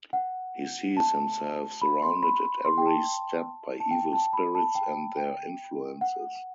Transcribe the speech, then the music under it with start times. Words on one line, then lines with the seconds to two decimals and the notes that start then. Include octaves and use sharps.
He sees himself surrounded at every step by evil spirits and their influences.
0.13 F#5
0.97 A5
1.81 B5
2.03 C6
2.23 B5
2.65 C6
2.78 G5
2.86 A5
3.80 A5
3.91 G5
4.13 A5
4.33 B5
4.55 A5
4.75 G5
5.17 G5
6.01 F#5